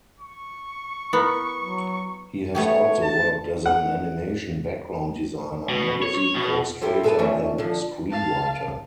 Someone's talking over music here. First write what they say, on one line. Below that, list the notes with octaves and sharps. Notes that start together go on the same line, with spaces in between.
He has also worked as an animation background designer, magazine illustrator and screenwriter.
C#6
B3 E4 A#4
F#3
A3 B3 G4 C#5
A5
F#5
B2
C#5
C#5
B2
E4 F4 G4 A4 C5
G#4 A4 B4 F5 G#5 A5
D#3 E3 A3 C#4 D4 F4
D3 F3
F5 A5